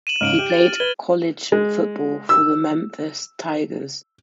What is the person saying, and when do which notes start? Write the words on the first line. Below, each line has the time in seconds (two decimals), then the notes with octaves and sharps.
He played college football for the Memphis Tigers.
0.07 D#7 E7 F#7
0.21 G#2 C#3 F6 D7 F#7
0.35 G4 D#7
0.50 A6
0.80 B4 G#6 G7
1.52 G#3
2.29 E6